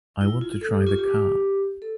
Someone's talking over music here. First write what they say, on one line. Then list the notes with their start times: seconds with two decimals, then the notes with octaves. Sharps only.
I want to try the car.
0.21 E4
0.41 F4
0.61 A4
0.74 G4
0.87 F4
0.99 G4
1.82 A4